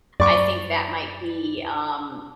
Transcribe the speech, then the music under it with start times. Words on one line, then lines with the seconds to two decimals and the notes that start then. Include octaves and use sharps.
I think that might be, um,
0.20 F#2 D5 C#6 D6